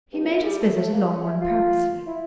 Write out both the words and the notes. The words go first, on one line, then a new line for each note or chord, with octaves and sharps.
He made his visit a long one purposely.
G2
C#3
A#2
G3
A3
A3
A#3
C#4
E4
F4
E4